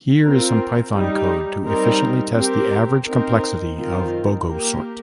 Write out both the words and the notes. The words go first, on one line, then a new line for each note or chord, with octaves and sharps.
Here is some Python code to efficiently test the average complexity of Bogosort.
C4 F4 A#4
G3 D#4 G4
G3 C4 D#4 A#4
C4 G4 A#4
C4 D#4 A#4
D#3 C4 F4 A#4
A#3 G4 A#4